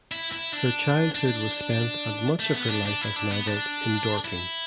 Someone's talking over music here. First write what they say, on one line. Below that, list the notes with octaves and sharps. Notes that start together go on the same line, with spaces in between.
Her childhood was spent and much of her life as an adult in Dorking.
E4
E4
D4
D4
A3
B3
D4
D4
E4
D4
B3
D4
E4